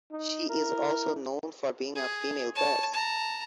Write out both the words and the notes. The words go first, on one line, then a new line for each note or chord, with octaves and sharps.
She is also known for being a female bass.
D#4
E4 A#4
G#4
C#5 A5
A5 A#5